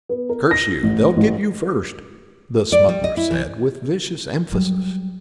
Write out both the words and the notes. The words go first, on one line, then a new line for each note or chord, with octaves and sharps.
"Curse you, they'll git you first!" the smuggler said, with vicious emphasis.
B3
A#4
A#6
A1
A1
D5
G3
D#5
E4
E3
F#3 G3